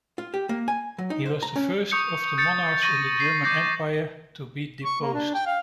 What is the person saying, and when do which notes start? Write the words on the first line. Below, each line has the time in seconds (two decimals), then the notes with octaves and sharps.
He was the first of the monarchs in the German Empire to be deposed.
0.18 F4
0.34 G4
0.49 A#3
0.68 G#5
0.98 F#3
1.10 D#4
1.25 C5
1.42 A#5
1.56 C#4
1.91 C#6 D#6 G6 C#7
2.38 G6 A6 C#7
2.82 C#6 A6 A#6 D#7 F#7
3.20 C7
3.44 D6 G6 A#6 C7
4.84 C#6
5.01 A#3
5.13 D4
5.34 G5
5.46 F5